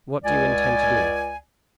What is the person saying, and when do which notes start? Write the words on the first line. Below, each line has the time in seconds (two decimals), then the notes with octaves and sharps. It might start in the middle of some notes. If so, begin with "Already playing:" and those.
What do you intend to do?
0.25 C#2 D5 G#5